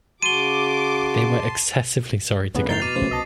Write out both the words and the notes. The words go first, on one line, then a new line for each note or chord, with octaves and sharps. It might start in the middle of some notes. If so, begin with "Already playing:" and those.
They were excessively sorry to go!
C#3 F#4 A5 C6 D6 D#7 G7
D2 C#3 B3
F2 A2 D#3 A#5 G6 A6 C7 F7
B2 D6 F6 D#7
C#3 F3 A3 C5
C2 D#5 A5 A6